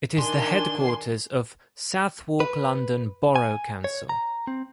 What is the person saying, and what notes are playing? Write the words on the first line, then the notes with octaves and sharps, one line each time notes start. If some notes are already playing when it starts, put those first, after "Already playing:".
It is the headquarters of Southwark London Borough Council.
D#3 D4 G#5 C6
B4
G#5
C#5
A#5
C4